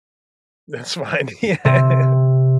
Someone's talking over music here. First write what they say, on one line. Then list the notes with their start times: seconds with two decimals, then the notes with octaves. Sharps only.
That's fine. Yeah.
1.65 C3